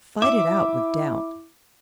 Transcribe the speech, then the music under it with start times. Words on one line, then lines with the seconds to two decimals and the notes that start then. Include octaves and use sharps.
Fight it out with doubt.
0.22 E4 E5 D6